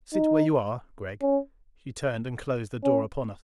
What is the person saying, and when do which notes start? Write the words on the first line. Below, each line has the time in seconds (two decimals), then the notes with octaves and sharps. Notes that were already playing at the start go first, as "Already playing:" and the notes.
"Sit where you are, Gregg." She turned and closed the door upon us.
0.13 D#4
1.22 C#4
2.83 C#4